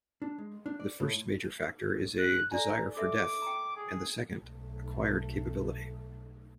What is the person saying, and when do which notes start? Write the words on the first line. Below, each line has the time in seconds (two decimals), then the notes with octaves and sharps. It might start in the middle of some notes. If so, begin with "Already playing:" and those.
The first major factor is a "desire for death" and the second "acquired capability".
0.22 D4
0.38 G#3
0.66 D4
0.80 D5
1.00 A2
2.19 F#6
2.51 A4 D5 G#5 A#5
2.97 A4 A#4 E5 D6
3.42 G5 A#5
3.76 G#4
4.39 B1 A3